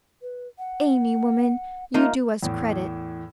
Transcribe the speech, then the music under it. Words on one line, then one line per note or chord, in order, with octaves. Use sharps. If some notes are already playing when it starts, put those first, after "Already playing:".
'Amy, woman, you do us credit!
B4
F#5
A#3 D#4 F4 E5
E2 A2